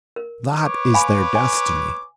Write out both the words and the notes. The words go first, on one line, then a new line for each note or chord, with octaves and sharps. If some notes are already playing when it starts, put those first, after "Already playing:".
That is their destiny.
A#4
B4 C#5 D6
F5 G#5 B5
G#5